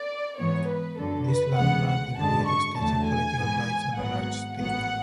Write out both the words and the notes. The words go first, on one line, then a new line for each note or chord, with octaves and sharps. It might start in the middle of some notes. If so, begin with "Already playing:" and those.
This land grant included extensive political rights and a large estate.
Already playing: D5
G#2 E3 B3 C#5
B4
F#2 D3 F#3 A4
B4
D2 C#3 E3 G#3 B3 F#5
F#5
G#1 F#2 D3 G#3 A5
C#6
E2 D3 F#3 A3 A5
G#5
G#2 E3 B3
G#1 G#2 F#3 B3 F#5
A1 G#2 F#3 B3 F#5